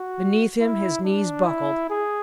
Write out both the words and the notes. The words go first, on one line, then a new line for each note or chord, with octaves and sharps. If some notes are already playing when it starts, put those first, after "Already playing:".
Beneath him his knees buckled.
Already playing: F#4
E4
D4
E4
G#4